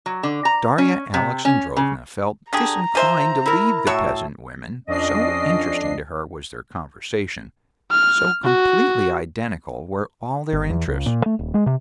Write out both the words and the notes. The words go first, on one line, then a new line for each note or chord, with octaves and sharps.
Darya Alexandrovna felt disinclined to leave the peasant women, so interesting to her was their conversation, so completely identical were all their interests.
F#3
D3
A#5
C#4
C3
C#4
C#3
D3 G4 G#4 A#5
F3 C5 E5 G#5
E4 A#4
A2 F#4 C#5 E5
F2 C#4 D4 D5 D#5 C7
F6
F#4
G1
E2
C#2
A#2
A3
D#1
G#3
C3